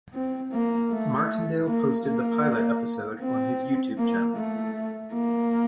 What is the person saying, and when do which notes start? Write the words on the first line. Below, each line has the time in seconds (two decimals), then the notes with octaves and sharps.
Martindale posted the pilot episode on his YouTube channel.
0.14 C4
0.52 A#3
0.91 A3
1.68 A#3
2.06 A#3
3.21 C4
3.98 A#3
4.36 A3
5.13 A#3